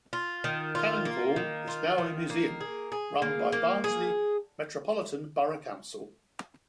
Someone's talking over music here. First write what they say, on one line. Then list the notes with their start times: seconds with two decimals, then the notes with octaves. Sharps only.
Cannon Hall is now a museum run by Barnsley Metropolitan Borough Council.
0.13 F4
0.44 D#3
0.75 F4
1.05 A#3
1.36 D#3
1.68 F4
1.98 D#3
2.30 A#3
2.61 G#4
2.92 G#4
3.22 A#3
3.52 A#3
3.84 G#4